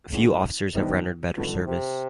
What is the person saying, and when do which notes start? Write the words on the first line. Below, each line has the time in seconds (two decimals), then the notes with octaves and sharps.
Few officers have rendered better service.
0.12 G#1 G2 C#3 E3
0.74 G2 C3 D#3 G3 B3 D#4
1.36 G#1 G2 B2 D3 F3
1.67 C3